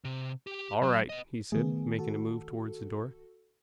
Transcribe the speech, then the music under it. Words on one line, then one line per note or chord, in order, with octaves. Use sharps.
"All right," he said, making a move towards the door.
C3
G4
F#3
B3 D#5
D#3 A3 B3 G#4
F#4 A4